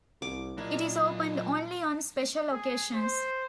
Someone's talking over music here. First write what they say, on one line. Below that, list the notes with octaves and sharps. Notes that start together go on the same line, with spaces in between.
It is opened only on special occasions.
C2 D6
A#2 F#3 A#3 D4 E4 D#5
G#4
C5